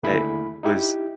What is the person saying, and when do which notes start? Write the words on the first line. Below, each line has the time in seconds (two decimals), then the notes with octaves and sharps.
that was
0.03 D#2 D3 A3 E4 G#4 B5
0.63 D#4 E4 G4